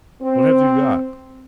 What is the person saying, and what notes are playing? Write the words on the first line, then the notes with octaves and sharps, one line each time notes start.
"What have you got!"
C4